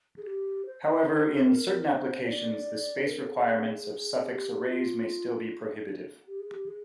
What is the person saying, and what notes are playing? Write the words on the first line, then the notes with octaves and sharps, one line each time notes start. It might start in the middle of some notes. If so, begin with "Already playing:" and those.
However, in certain applications, the space requirements of suffix arrays may still be prohibitive.
G#4
G4
C5
A#4
C5
D5
C5
A#4
G#4
G4
F4
G4
G#4
G4
G#4